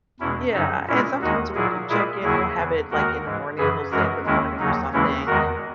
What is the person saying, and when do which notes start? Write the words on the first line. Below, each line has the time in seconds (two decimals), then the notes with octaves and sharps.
Yeah, and sometimes we do check-in, we'll have it, like, in the morning, he'll say "Good morning" or something, in
0.20 E2 B2 G#3 C#4 E4
0.54 F#2 C#3 F#3 D#4
0.88 A#2 G#3 C#4 E4
1.21 D#2 D#3 G#3 D#4 F#4
1.55 A#2 F#3 E4 G#4
1.89 A#2 G#3 E4 G#4
2.23 D#2 C#3 F#3 E4 G#4
2.56 E2 C#3 E3
2.91 D#2 D#3 G#3 F#4 A#4
3.24 G#2 E3 G#3
3.58 F#2 C#3 E3 G#4 B4
3.91 F#2 E3 G#3 F#4 A#4
4.25 D#2 D#3 G#3 C#4 E4
4.59 D#2 C#3 F#3 D#4
4.93 D#2 C#3 E3 G#3 C#4 E4
5.26 E2 D#3 G#3 F#4 A#4